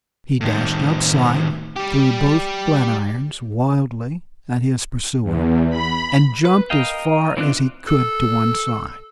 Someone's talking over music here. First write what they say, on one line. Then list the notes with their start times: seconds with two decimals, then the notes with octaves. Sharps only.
He dashed outside, threw both flat-irons wildly at his pursuer, and jumped as far as he could to one side.
0.41 A2 D#3
1.76 G3 G4
5.23 E2
5.70 B5
6.45 B4
6.70 A#4 D#5 F5 G5
7.37 E3 C4 D4 F4 F#6
7.88 A4